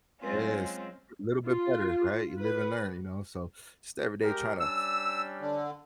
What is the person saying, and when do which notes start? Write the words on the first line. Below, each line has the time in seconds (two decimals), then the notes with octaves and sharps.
Yes! A little bit better, right? You live and learn, you know, so just every day trying to,
0.20 F#3 G#3 C4 C#4 F4
1.46 F4
2.39 B4
4.23 G#3 G4 A#4
4.60 G3 C#4 D4 E6
5.41 D3